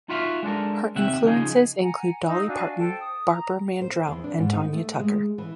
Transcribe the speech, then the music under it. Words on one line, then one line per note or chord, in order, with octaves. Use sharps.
Her influences include Dolly Parton, Barbara Mandrell and Tanya Tucker.
D#4 F4 F#4 E5 F5
G#3 D4 A4 A#4
D#2 C3 E5 F#5
C#3 F3 D#4 G#4
F#5 G#5 A#5
D#4 F5 E6
D4 F#4 F5 G#5
A4 C5 G5 A5
D#6
A#5
C5
E2
D4
G#2
D#4
A3
G#3
E3